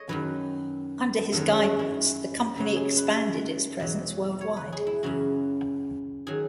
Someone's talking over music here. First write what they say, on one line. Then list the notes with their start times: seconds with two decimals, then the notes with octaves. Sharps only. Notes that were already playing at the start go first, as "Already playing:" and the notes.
Under his guidance, the company expanded its presence worldwide.
Already playing: A4 C#5 D#5
0.09 F#2 D#3 F#3 B4
1.32 F#2 D#3 F#3 A4
1.48 G#4
1.63 F#4
1.79 E4
2.56 F#2 C#3 F#3
2.76 G#4
2.97 B4
3.80 E2 B2 F#3
4.41 C#5
4.57 B4
4.72 G#4
4.87 E4
5.03 F#2 C#3 E3 F#4
6.27 D#3 F#3 G#4